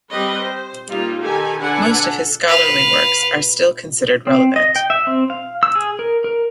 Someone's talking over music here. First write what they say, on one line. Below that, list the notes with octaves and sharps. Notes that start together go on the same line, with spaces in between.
Most of his scholarly works are still considered relevant.
G3 C4 B4 D#5
C5
G3 A#3 D#4 F4
D#3 G4 A4 G#5
D3 D4 B4 F#5 G#5
A4
B4 F5
C4
D#5
G5
E5
C4
F5
E6
G#4
A#4
A#4